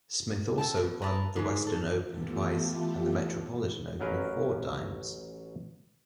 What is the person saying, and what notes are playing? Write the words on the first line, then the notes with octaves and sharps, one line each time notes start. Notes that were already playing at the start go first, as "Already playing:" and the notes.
Smith also won the Western Open twice and the Metropolitan Open four times.
A4 G5 A5
B2
A#4 B4 A5 A#5
G#2 D3 G#3
A4
E3 A3 B3 F4 G4 A4
A1 F#3 C#4 A#4 B4 F5